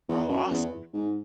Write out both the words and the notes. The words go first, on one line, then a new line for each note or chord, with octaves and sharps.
Oh, awesome.
E2
F#2
E2
G#2